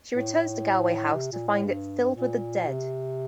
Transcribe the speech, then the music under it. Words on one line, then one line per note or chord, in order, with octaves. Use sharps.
She returns to Galweigh House to find it filled with the dead.
A2
C3
A#2
A2
G2
A#2
C3